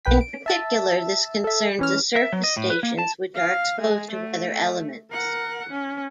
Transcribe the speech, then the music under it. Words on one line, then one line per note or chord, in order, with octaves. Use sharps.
In particular, this concerns the surface stations which are exposed to weather elements.
B1 B4 G5 B6
D7
E5 A5 E6
A4 E5
E3 C#4 F6
E5
F#3
D#5
A2
B4
A#3
A5
F5
G#3
A3
A#4 F#5
C#4